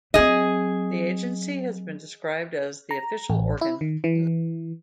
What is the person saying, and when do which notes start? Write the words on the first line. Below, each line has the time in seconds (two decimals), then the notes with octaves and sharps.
The agency has been described as the official organ.
0.14 F#3 C4 G#4 D#5
2.91 A#5
3.30 A1
3.61 E4
3.81 D#3
4.04 E3